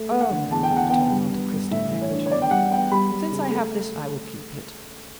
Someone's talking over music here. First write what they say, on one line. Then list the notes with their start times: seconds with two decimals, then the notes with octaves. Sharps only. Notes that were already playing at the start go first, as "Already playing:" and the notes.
"Oh, no," returned Monte Cristo negligently; "since I have this, I will keep it."
Already playing: A3
0.11 A3
0.21 F#5
0.31 D3
0.51 E2 A5
0.63 G5
0.71 E2
0.77 F#5
0.90 B3 G5
1.11 G2
1.31 B3
1.51 G2
1.71 A2 E5
1.91 E3
2.02 C#5
2.11 D4
2.26 C#5
2.31 B3 D5
2.42 G5
2.51 G3 F#5
2.71 B3 G5
2.91 G3 B5
3.11 G3
3.31 C#3
3.52 A3